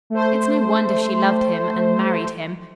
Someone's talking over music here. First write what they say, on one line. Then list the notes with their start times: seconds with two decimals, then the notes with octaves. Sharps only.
"It's no wonder she loved him and--married him."
0.10 A3 C5